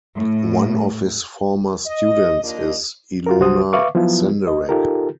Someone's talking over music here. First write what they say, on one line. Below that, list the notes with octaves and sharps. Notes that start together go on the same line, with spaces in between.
One of his former students is Ilona Senderek.
A2
D#5
D#2 A#3 D4 F4 D#5
F4 F#4 A#4
C2 F#3 F#4 C5 D#6
B4 E5 F5 C#6 D6
F3 F#3 B3 E4 F4
D#5
D#4 F4 G4 A4 A#4